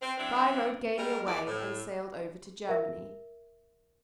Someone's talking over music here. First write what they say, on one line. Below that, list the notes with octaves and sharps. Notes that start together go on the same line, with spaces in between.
Guy rode gaily away and sailed over to Germany.
C4
F#3 C4 D4 E4
G3 G#3 A#4
E2 A#3 E4 D5
A2
A#4 E5